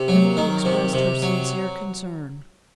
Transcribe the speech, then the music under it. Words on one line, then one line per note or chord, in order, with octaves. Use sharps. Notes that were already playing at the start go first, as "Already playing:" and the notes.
Emily expressed her sincere concern.
Already playing: C3
F#3
D#3
C3
C3
F#3